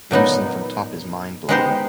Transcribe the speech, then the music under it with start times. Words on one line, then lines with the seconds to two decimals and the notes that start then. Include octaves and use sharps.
View seen from the top is mind-blowing.
0.11 A#2 F#3 B3 D#4
1.49 G#3 B3 D#4 G4 C5